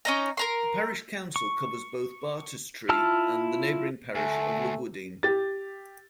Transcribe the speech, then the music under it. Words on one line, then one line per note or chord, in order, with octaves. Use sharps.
The parish council covers both Bartestree and the neighbouring parish of Lugwardine.
C#4 D#4 A#5
A#4 A#5 C6
C#6
E4 F4 A5 E6 F6
D2 A3 G#5
G4 A6